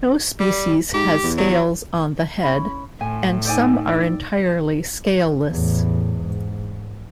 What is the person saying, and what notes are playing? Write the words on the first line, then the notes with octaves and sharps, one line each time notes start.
No species has scales on the head, and some are entirely scaleless.
G3
G#2 G4
E2
F#3
C#4 E4 B5
A2 G#5 C6
D#4 C5 D5 G5 G#5 E6
D5
E2 A2
G#2